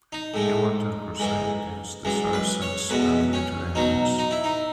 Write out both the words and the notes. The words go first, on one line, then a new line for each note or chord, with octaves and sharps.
He went on crusade against the Saracens and the Lithuanians.
D#4
A2 G#3
G#2 E3 G#3
F#2 E3 G#3
B4
C#5
E2 B2 G#3 B4
C#4
B2 F#3 D#4
D#4
E4
D#4